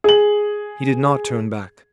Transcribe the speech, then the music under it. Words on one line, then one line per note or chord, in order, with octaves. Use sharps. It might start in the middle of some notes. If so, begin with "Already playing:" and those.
He did not turn back.
G#4 F#7